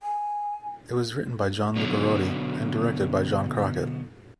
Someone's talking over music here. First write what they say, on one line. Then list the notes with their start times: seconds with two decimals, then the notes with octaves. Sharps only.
It was written by John Lucarotti and directed by John Crockett.
0.03 G#5
1.76 B2 D3 F#3